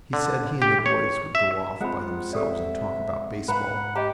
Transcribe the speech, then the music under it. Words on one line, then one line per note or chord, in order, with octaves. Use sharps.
He said he and the boys would go off by themselves and talk about baseball.
D3
G4
C#5
E5
G#3 C4 F4 F#5 A#5 B5
G4 A4 D5 E5
G#2 B4 F5 F#5 A#5 B5
G4 D#5 G5 A#5